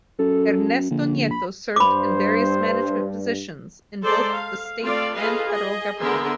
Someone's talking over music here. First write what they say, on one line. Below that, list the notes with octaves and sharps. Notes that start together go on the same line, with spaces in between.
Ernesto Nieto served in various management positions in both the state and federal government.
F#2 A4
A#1 D3
B5
G2 C5 B5 D6
G#3 A4 C5 D5 A#5
F5
A3 C4 F4 A4 D5 F5
F4 G#4 A4 B4 D#5 F5
G#4 D#5
D3 B3 G#4 A#4 E5 C6